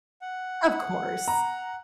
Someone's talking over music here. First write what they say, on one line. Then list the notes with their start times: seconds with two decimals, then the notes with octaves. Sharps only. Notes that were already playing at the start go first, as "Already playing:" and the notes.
Of course.
0.21 F#5
1.28 A#5